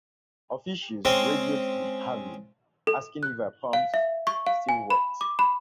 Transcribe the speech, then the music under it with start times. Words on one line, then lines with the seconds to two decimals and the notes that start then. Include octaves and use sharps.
Officials radioed the "Harvey," asking if her pumps still worked.
1.05 G#3 C4 C#4
2.87 A4
3.23 F#6
3.73 F5
3.94 E5
4.27 C#6
4.47 F5
4.69 G#5
4.90 B5
5.21 D6
5.39 B5